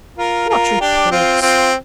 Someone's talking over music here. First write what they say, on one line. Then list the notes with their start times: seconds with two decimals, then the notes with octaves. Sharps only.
"What reports?"
0.18 F4 A#4
0.49 F4 A#4
0.81 D4 G4
1.11 C4 F4
1.42 C4 F4